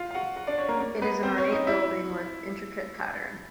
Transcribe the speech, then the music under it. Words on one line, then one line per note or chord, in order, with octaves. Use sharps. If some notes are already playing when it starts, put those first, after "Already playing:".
It is an ornate building with intricate pattern.
Already playing: F4 F5
F5
F#4 F#5
F#4 F#5
D4 D5
C#4 C#5
A#3 A#4
A#3 A#4
B3 B4
C4 C5
C#4 C#5
D#4 D#5
E4 E5